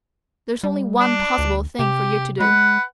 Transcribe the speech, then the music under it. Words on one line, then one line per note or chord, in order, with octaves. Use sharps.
There's only one possible thing for you to do.
G3
D4
D2
C3 G4
G#3 B4 F#5